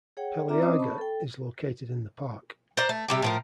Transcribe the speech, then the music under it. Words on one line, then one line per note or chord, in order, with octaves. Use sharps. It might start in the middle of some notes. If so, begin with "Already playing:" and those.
Peleaga, is located in the park.
G#4 C#5 F#5 G5
C4 F4 D5 E5 A#5 D6
C4 C#4 C5 D#5 D6 D#6
A5 B5 C#6
A4 G5
C5 D5 A#5
A3
C3 G3 G4
A2 F3 A#4